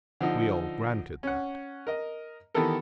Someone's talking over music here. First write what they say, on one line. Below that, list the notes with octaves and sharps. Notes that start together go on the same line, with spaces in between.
We all granted that.
D3 F3 D#4
C#4 F#5
A#4 D#5
D#3 E3 B3 G4 A4 A#4